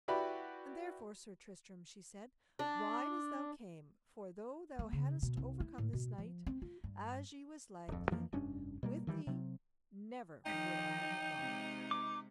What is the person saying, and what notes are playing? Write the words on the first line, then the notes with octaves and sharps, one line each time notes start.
And therefore, Sir Tristram, she said, ride as thou came, for though thou haddest overcome this knight, as ye was likely, with thee never would I have gone.
E4 F#4 G4 B4 D5 B5
D4
A#3
C#3
B2
C2
E4
A2
B2
F3
C4
F4
G2
D1 F2
F2 E3 F3 A#3
F1 G2 C#4 D4
B2 G3 A#3
D#3 E3 G3
C3 F#3 C4
D#3 F3 D#4 G5
C3 G#3
D6